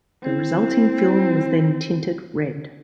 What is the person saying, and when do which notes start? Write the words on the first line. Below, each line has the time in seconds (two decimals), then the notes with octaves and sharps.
The resulting film was then tinted red.
0.22 C4 E4